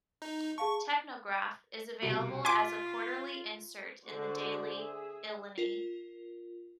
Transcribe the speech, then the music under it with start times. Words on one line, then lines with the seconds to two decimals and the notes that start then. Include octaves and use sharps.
"Technograph" is available as a quarterly insert in the "Daily Illini".
0.22 D#4
0.58 G#4 F5 A5 C#6
2.02 C2 B2 D7
2.45 F4 G#5 C6 D6 B6
4.06 D3 F#4 C5 D5 F#5
4.76 G#4 E5
5.58 F4 A#4